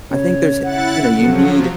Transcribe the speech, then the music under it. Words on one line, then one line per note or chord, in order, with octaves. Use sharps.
I think there's h you know, you need
C#3 C#5
E4 F#5 F#6 A6
F3 F#3 A4